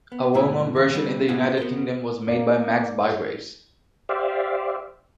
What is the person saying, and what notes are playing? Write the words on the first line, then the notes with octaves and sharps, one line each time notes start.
A well-known version in the United Kingdom was made by Max Bygraves.
B3
G#2 B2 A3 E4 B4 E5
D#2
D3 G3 C4
A2 B3 C4 F4 F#4 G#4
B3 F#4 A#4 C5
A#3 D5
G4 C5 D5 E5 F5